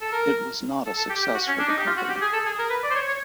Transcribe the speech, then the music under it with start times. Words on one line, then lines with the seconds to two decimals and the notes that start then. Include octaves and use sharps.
It was not a success for the company.
0.01 A4
0.12 A#4
0.86 A4
0.98 A4
1.10 G4
1.22 G4
1.34 F#4
1.47 C#4
1.60 D4
1.68 D#4
1.78 G4
1.87 F4
1.97 F#4
2.09 G4
2.21 G#4
2.33 A4
2.46 G#4
2.59 A#4
2.70 B4
2.83 D5
2.91 C5
2.95 C#5
3.08 C#5